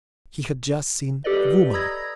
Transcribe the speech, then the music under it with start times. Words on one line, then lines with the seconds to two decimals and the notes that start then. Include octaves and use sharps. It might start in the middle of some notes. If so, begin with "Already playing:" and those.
He had just seen Woman.
1.24 G4 A4 B4 D5 D#5
1.73 A#5 B5 D#6 E6 G#6 A#6